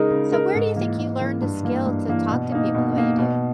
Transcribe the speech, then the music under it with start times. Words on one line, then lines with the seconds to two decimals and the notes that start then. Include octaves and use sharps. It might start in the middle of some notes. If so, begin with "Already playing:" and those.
So, where do you think you learned the skill to talk to people the way you do?
Already playing: C#3 G#3 D#4 A#4
0.10 C#3
0.31 G#3 D#4 A#4
0.54 G#2
0.76 E3 A#3
0.98 G#2
1.19 E3 A#3
1.42 G2
1.63 E3 A#3
1.86 G2
2.08 E3 A#3
2.30 B2
2.52 A#3 D#4
2.74 B2
2.96 A#3 D#4
3.18 B2